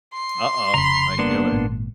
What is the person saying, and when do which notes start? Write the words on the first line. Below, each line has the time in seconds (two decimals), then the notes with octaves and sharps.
Uh-oh, I knew it.
0.13 C6
0.74 F1 C#3 A#5 B5
1.19 A#3 B3 D4
1.52 G#1 A#2